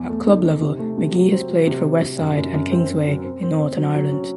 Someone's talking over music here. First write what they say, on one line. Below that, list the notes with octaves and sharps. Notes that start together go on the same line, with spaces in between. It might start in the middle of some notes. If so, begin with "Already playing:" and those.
At club level Magee has played for Westside and Kingsway in Northern Ireland.
Already playing: E2
A3
D#4
D#4
C3
A3
C3
F#3
C4
F#3
C3
C4
C3
F#2
F#2
F#2
C4
C4
F#3
C4
C4
C4
F#3
F#3
C#4